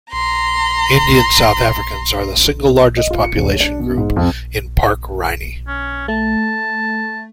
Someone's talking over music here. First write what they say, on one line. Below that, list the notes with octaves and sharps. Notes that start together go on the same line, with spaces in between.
Indian South Africans are the single largest population group in Park Rynie.
A#5 C6
D#5
F4
C#7
D#1
C#5
D4
B2
G#2
F2
C#4
A3 A5